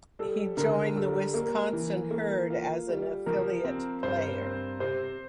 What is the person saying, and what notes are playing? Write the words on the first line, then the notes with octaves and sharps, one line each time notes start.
He joined the Wisconsin Herd as an affiliate player.
G3 A4
D3 A#4
G3 A4
A#3
E3
A#3
F4
G3
F3 A#4
C4
G2 C5
C4
C3 C5